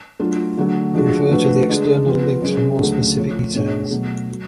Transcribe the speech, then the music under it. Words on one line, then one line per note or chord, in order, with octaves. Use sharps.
Refer to the external links for more specific details.
F#3 A3 D4 F4
D3 F#3 A3
F3 G#3 D4 F#4 A4
F3 A3 D4 F#4 B4
D3 G#3 D4 G#4
F3 B3 F4 B4
F#2 C#3 G#3 C#4 G#4
D2 C#3 F#3 A3
F3 A3 F4 A4 C#5
B2 A3 D4 G#4 C#5
B2 F#3 A3
F#3